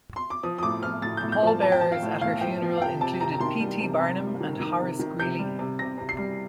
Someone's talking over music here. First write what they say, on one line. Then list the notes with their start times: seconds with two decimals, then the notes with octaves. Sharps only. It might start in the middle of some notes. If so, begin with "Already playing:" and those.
The pallbearers at her funeral included P. T. Barnum and Horace Greeley.
0.16 C6
0.30 D6
0.43 F3 D#6
0.58 D#6
0.63 A2 D6
0.83 F3 F6
1.02 A2 A6
1.17 G6
1.23 A2
1.32 G6
1.42 F3 A5
1.62 F3 A5
1.72 G5
1.81 F3 A5
1.92 F5
2.02 A2
2.21 A2 F5
2.41 F3 G5
2.62 F3
2.77 F5
2.81 C3 G5
3.01 C3 A5
3.20 C3 A#5
3.34 A#5
3.40 D#3 C6
3.61 G3
3.81 C3
4.00 C3
4.20 G3
4.41 D#3
4.60 D#3
4.80 C3
4.99 D#3
5.19 C3 G6
5.39 G3
5.59 C3
5.79 C3 A#6
5.98 C3
6.09 C7
6.18 G3